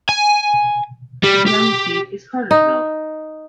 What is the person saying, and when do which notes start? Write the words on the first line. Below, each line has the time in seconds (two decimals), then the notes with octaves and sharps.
The county seat is Cartersville.
0.09 G#5
1.24 G3
1.48 G4
2.51 D#4